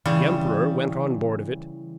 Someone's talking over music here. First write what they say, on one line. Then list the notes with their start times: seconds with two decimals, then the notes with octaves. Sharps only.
The emperor went on board of it.
0.06 C#3 E3 G3